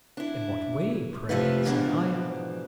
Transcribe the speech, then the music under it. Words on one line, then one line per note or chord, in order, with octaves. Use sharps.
'In what way, pray?' said I.
D4 E4
C3 F3 A3 E4 F4 B4
G#2 B2 E3 F3 D4